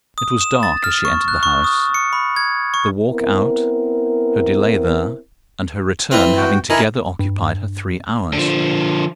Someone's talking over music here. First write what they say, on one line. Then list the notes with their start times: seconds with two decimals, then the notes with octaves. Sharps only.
It was dark as she entered the house--the walk out, her delay there, and her return having together occupied her three hours.
0.18 D#6
0.41 E7
0.63 A6
0.84 F6
1.05 C#6
1.28 F#6
1.43 C#6
1.64 D#6
1.94 C#7
2.13 B5
2.36 G#6
2.74 C#6
3.10 B3 C4 E4 A#4
6.11 E3 C4
6.37 F#4 G5
6.70 D#3 E4 G#5 A#5
7.19 G2
8.33 D3 F3